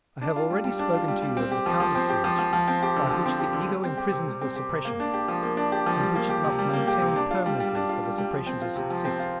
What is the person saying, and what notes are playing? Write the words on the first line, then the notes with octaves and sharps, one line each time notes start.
I have already spoken to you of the counter siege by which the ego imprisons the suppression and which it must maintain permanently for the suppression to subsist.
D4
F4
G3
G3
D4
F4
G3
G3
C4
G4
F3
F3
C4
G4
F3
F3
F3
C4
G4
D3
F3
C4
G4
D3
G3
C4
G4
C3
G3
C4
G4
C3
A#3
D4
G4
F3
A#3
D4
G4
F3
G3
A#3
G4
C3
G3
A#3
G4
C3
D4
F4
G3
G3
D4
F4
G3
G3
F3
C4
F4
C3
F3
C4
F4